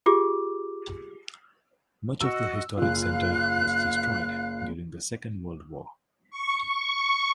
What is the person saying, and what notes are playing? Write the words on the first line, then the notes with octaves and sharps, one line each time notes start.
Much of the historic centre was destroyed during the Second World War.
F4 G4 G#4 D6
F#4 D#5 E6
F#1 F4 F5 F#6
C#6
C#6